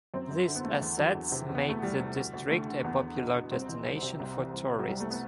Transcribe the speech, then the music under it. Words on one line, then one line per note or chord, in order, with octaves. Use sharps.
These assets make the district a popular destination for tourists.
F#2 C4
F#2
D3
B3
D3 A3
E2
E3 F#3
E2
C3
E2
B3
E3 A3
E2 G3
C3
D2
D2
D3 A3
D3
E2 B3
E2
B2
B2
C2 C4
E3
C2
C3
C2
E3
C2
C3
F#3
C2 G3
A3
B3